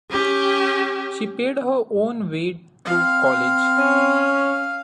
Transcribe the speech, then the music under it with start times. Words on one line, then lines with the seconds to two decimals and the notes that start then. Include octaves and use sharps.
She paid her own way through college.
0.11 C#4 G4
2.85 C4 F5
3.78 C#4